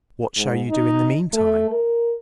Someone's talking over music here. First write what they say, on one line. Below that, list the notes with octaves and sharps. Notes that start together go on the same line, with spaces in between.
'What shall you do in the meantime?'
G#2
D#4
A3
A#4